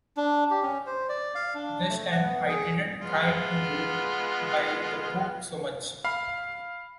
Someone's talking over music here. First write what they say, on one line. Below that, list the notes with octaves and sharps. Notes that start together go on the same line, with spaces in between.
This time I didn't try to go by the book so much.
D4
G4
C#4
C5
D5
F5
D4
A3
F#5
B3
G#4
G#3 B3 F4
F5 B5